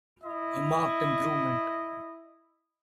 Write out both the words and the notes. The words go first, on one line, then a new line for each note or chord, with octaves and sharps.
A marked improvement.
E4 D#5